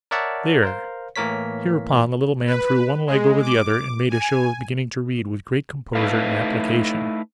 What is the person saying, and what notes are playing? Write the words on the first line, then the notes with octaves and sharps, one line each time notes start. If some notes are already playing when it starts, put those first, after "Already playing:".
There!' Hereupon, the little man threw one leg over the other, and made a show of beginning to read with great composure and application.
A#4 C#5 D5 E5 F#5 A5
A#4 C5 F5
A2 E3 A#3 A#4 C#5 B6
B4
G#3
D6
G#5
A3 D#4 E4 B4 F5